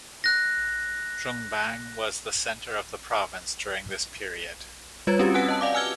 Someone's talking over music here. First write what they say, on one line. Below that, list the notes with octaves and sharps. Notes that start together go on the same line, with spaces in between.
Jungbang was the center of the province during this period.
F#6 A#6
G3 F4 B4 C#5 G#6 A6
C4 C#4 F#4 G4
B4 F#5 G#5 F#6
D#5 A5
D5 F5 D6
G#5 E6 F6 G#6 G7